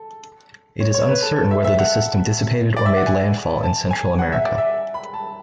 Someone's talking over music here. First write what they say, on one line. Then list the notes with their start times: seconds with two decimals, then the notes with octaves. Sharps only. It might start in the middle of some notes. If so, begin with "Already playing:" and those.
It is uncertain whether the system dissipated or made landfall in Central America.
Already playing: A4
0.80 C#5
0.94 C#5
1.09 B4
1.22 A4
1.36 A4
1.51 E5
1.64 E5
1.79 F#5
2.77 D5
2.86 E5
2.97 F#5
3.07 G#5
3.63 A5
3.91 G#5
4.19 F#5
4.32 E5
4.46 D5
4.58 E5
4.94 B5
5.14 A5